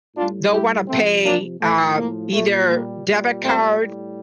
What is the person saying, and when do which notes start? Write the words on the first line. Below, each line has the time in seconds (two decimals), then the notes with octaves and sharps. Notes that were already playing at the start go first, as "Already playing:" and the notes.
they'll want to pay, uh, either debit card,
0.15 A2 G3 D4 F4
0.52 E4 G4
0.88 C3 F3 A3 C4
1.25 A#3 D4
1.61 A2 F3 A3
1.97 A#3
2.33 A#2 G3 A3
2.70 A#3
3.07 A#2 G3
3.42 A3 C4
3.79 A2 G3